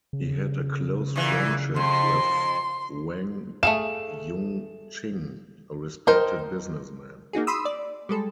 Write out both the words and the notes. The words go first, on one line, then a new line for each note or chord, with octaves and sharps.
He had a close friendship with Wang Yung-ching, a respected businessman.
C#3
A#2 E3
F2 C6
A3 G#4 F5 E7
D#4 A#4 C5 G5
A#3 D#4 F#4 G#4
B5 C6 D#6 E6
D5
G3 G#3 A4